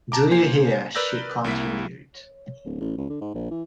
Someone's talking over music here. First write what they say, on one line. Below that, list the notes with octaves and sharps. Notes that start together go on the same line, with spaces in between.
'Do you hear?’ she continued.
A5 A#5 D6
A#3 C5 G#5 C7
A#4 B4 D5 E6 G6 A#6
C2 A#3 E4 B6
D1
A1
C#2
D3
G#2
A#1
E3